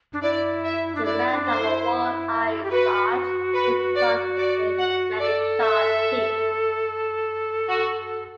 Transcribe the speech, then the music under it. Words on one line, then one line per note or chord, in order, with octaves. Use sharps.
The mouth of a walleye is large and is armed with many sharp teeth.
D4
E4 D5
E5
D4
E4 D5
D4
C5
E4
G4
F#4 B4
B4
D5
D5
F#5
A4 D5
E5
F#4